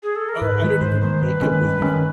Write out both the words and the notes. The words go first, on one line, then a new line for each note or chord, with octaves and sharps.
Oh, I don't even make 'em with meat.
G#4
A4
A#4
G#2 B4
D#3 G#3
G#2 C5
D#3 G#3 C5
G2 B4
D#3 G#3 C#4
G2
D#3 G#3 C#4